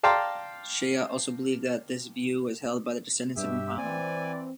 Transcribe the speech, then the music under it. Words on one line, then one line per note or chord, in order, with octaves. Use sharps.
Shia also believe that this view was held by the descendants of Muhammad.
D5 F5 G5 A5 A#5 C6
G2 B2 G4 E5
E3 C4 D5 G#5